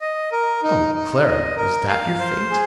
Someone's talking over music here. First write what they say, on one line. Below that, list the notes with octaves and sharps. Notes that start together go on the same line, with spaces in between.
"Oh, Clara, is that your fate!"
D#5
A#4
D#4
D#4
D#5
A#4
F5
C5
G#4